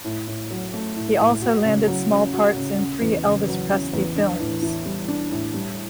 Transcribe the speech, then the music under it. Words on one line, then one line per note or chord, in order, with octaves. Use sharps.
He also landed small parts in three Elvis Presley films.
A2
A2
F#3
A3
A2
A2
F#4
C#3
F#3
C#4
F#4
C#3
C#4
E2
C#3
F#3
C#4
E2
D4
A2
E3
G3
D4
A2
G3